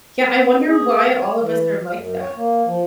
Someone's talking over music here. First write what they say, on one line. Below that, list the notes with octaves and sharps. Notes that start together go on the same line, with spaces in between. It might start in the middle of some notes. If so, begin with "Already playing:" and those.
Yeah, I wonder why all of us are like that.
G#4
C#5
E3
F#2
C#5
A#3
F3